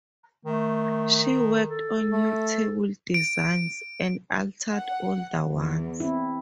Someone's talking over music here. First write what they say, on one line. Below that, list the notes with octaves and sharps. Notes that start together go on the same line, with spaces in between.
She worked on new table designs and altered older ones.
D#3 A3
A4
A3
D7
F#5
E2
C4 E4